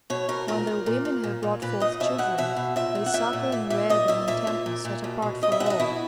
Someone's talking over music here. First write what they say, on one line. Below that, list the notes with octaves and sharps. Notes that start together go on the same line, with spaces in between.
When their women have brought forth children, they suckle and rear them in temples set apart for all.
B2 C#5
B2 A#4
A#2 A#4
A#2
A#2
A#2
A#2
A#2
A#2 B4
A#2 D#5
B2 E5
B2 F#5
B2 E5
B2
A#2 E5
A#2
F#5
A#2 E5
A#2
A#2 E5
A#2 E5
A#2 D#5
A#2 E5
A#2 E5
A#2
A#2
A#2
B2
B2
B2 D#5
E5
B2 F#5
E5
D#5
B2 E4